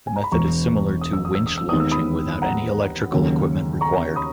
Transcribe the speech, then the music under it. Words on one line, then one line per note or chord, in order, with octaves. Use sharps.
The method is similar to winch launching without any electrical equipment required.
G#5
A#5
B5
E1 E2 B2 G#3 A#5 C#6
D#6
E6
D#6
E6
D#6
E6
D#2 D#3 G#3 B3 D#6
E6
B5 D#6
F#5 A#5
D#2 C#3 F#3 A#3
A#5 C#6
B5 D#6